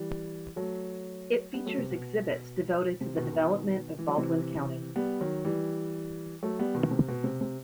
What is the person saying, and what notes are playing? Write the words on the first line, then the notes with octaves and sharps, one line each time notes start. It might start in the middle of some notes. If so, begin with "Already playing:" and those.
It features exhibits devoted to the development of Baldwin County.
Already playing: E3 G3
F#3 A3
G3 B3
F#3 A3
C3
B2
C3
B2 D#3
B2 D#3
E3
F#3
C3 E3
G3 B3
D#3 F#3
E3 G3
F#3 A3
G3 B3
B2 D#3
C3
B2
C3
C3